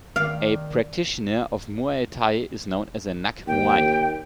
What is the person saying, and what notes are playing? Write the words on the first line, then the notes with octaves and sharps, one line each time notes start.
A practitioner of muay Thai is known as a "nak muay".
D#3 D5 F5
D#2 G5